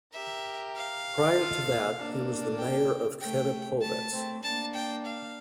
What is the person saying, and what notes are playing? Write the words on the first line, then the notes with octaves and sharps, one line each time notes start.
Prior to that, he was the mayor of Cherepovets.
G4 A#4 E5
F5
F4 A4
A#3
A#3 D4
G5
A3 G5
A3 A5
A3 C4
A#3 D4 A5
G5
F5